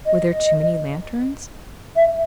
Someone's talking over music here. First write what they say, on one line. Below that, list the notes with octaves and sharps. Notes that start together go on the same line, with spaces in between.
Were there too many lanterns?
D#5
E5